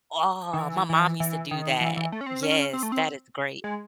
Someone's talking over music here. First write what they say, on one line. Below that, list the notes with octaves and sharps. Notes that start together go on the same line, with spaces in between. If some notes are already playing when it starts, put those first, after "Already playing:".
Oh, my mom used to do that. Yes, that is great.
D#3
E3
E3
E3
D#3
E3
E3
A3
C#4
C4
C#4
C4
A3
C4
G#3